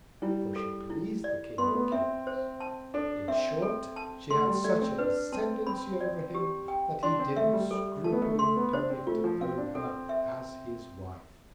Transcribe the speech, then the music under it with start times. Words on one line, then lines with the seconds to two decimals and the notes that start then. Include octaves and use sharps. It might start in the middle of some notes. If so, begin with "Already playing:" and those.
For she pleas'd the King of Kings: In short, she had such an Ascendancy over him, that he didn't scruple in publick to own her as his Wife.
0.22 G3 E4
0.56 A4
0.90 E4
1.24 D5
1.58 B3 C6
1.67 A3
1.75 B3
1.92 C4 E5
2.27 C5
2.60 A5
2.94 D4 A4
3.28 C4 E5
3.62 A4
3.96 A5
4.31 A3 C6
4.47 G3
4.64 A3 D5
4.82 C4
4.98 D4 B4
5.33 C4 A5
5.67 C4 B5
6.01 D5
6.35 G4
6.68 G5
7.03 D4 C6
7.19 C4
7.36 A3 E5
7.53 G3
7.71 G3 A4
8.04 A3 A5
8.13 B3
8.22 A3
8.39 A3 C6
8.56 B3
8.73 D4 C5
8.90 C4
9.07 A3 F4
9.24 F3
9.41 C4 F5
9.58 D4
9.75 C4 A4
10.09 E5